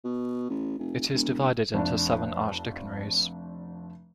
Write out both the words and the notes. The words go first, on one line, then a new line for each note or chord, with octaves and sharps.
It is divided into seven archdeaconries.
B2
A1
F1
E1
F1 D4